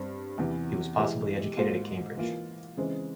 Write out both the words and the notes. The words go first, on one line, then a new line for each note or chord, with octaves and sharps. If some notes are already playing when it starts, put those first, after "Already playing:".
He was possibly educated at Cambridge.
Already playing: G2 G3 C4
E2 C3 E3
E3 G#3 E4 G4
G#2 G3 A#3 F4 C5
E3 A#3 F4
C#3 E3 G#3 C4